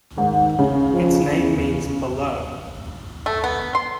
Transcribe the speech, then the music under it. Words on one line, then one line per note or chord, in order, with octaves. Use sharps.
Its name means "below".
G#2 D#3
C#3 C#4
F3
E2
A3
B3
C6